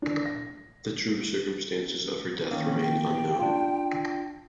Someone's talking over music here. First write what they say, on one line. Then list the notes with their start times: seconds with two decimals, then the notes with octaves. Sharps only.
The true circumstances of her death remain unknown.
0.02 D4
0.26 A#6
2.51 D#3 A#3 C#4
2.82 G5
3.39 D4 F4